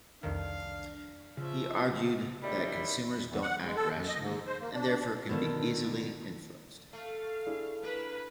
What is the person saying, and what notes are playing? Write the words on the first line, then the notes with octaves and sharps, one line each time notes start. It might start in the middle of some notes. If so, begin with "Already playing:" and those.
He argued that consumers don't act rationally, and therefore can be easily influenced.
C2 F2 D#3 D4 F5
C#3 F3 E5
B2 D#3 G3 C#4 E4 B5
E2
F#5
G#3
A4
F#2
D#5
G#2
C5
A#3
D4
B2 D3 D#3 A4 F5
A3 F5
D4 E4 G#4
A#3 B4